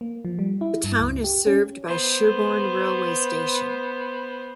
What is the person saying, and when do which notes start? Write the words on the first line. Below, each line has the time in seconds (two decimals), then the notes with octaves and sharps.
The town is served by Sherborne railway station.
0.01 A#3
0.25 F3
0.39 G3
0.61 E4
0.84 G2
1.00 C#2
1.24 G4
1.47 C#4
1.87 B3 C5